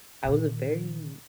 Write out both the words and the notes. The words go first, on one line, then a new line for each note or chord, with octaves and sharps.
I was a very,
A#2 D#3